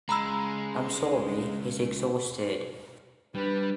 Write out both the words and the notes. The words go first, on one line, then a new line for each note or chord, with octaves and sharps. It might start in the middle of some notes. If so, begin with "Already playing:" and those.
I’m sorry, he’s exhausted.
C#2 G#3 A#5 B5 E6
G3 D4 B4